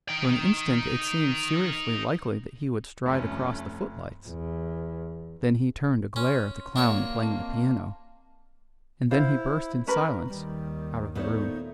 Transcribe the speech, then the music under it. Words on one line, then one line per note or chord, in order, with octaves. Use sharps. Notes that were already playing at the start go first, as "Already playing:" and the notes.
For an instant it seemed seriously likely that he would stride across the footlights; then he turned a glare at the clown playing the piano; and then he burst in silence out of the room.
D#4 G5
F1 G2 A3 C#4
E2
C#4 C6
A#3 D4 F#4 C#5
C4 D#5 A5
E4 C5 F5
C#4 A#4 B4
D#2 D#3 G3
A#2 A3 B3 D#4 C5 C#5